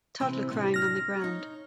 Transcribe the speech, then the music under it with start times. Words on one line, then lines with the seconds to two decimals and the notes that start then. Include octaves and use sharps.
Toddler crying on the ground.
0.20 C3 E3 C4
0.50 A2 C3 D4
0.74 F6 A#6
1.21 D#4 C#5